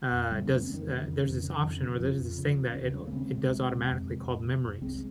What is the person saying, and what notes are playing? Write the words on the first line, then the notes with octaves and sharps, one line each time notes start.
uh, does, uh There's this option, or there's this thing that it it does automatically called Memories.
F2
C#3 G3 A#3
F2 A#3 C#4
G#3 C4
F2 D#3
C#3
F2
F2
C#3
F2
C#3
F2 F3
F2
C#3
D#2
C#3
C#3
A#3
C#3 G#3 C4
D#2
D#2
C3
F2
C3
F2
C3
F2
C2 G#3 C4